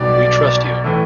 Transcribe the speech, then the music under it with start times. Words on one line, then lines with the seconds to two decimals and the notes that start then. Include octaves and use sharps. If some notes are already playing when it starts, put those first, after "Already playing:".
We trust you.
Already playing: B1 B2 G3 D5
0.84 A2 E3 A3